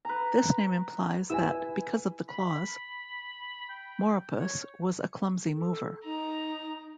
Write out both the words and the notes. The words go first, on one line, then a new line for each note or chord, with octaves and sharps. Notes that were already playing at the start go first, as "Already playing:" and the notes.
This name implies that because of the claws, "Moropus" was a clumsy mover.
B4 A#5
E4 G4 B4 G#5 E6
B5
G5
C#5
A4
D#4 A#5